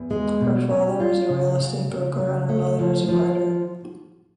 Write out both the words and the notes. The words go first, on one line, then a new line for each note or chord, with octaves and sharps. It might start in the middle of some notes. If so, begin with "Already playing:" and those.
Her father is a real estate broker and her mother is a writer.
Already playing: E2
G#3
B2
C#4
F4
C#3
C#3
C#3
C#3
A3
F3
F3